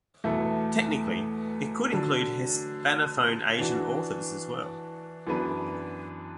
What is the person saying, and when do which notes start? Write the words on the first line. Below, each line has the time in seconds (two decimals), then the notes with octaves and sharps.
Technically, it could include hispanophone Asian authors as well.
0.24 E2 B2 A3 E4 A4
1.92 D3 F#3 D4
3.58 E3 D4 F#4
5.27 F#2 E3 B3 D4 B4